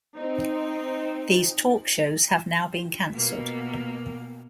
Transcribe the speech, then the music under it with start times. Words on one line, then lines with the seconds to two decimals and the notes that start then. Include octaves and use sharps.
These talkshows have now been cancelled.
0.17 C4 D#4
3.12 B2 A#3